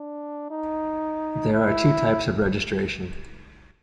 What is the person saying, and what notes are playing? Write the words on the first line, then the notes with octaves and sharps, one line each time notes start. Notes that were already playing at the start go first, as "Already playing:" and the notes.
There are two types of registration.
Already playing: D4
D#4
E4